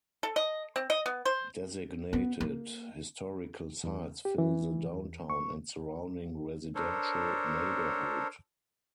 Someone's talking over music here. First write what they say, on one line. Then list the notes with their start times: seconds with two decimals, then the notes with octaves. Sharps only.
Designated historical sites fill the downtown and surrounding residential neighborhood.
0.23 A4
0.36 D#5
0.76 C4
0.90 D#5
1.06 B3
1.25 C5
2.13 B3
2.41 A#3
3.84 E2
4.25 G4
4.38 E3
4.86 E2
5.30 C#6
6.75 D4 A4 A#4 C5 C#5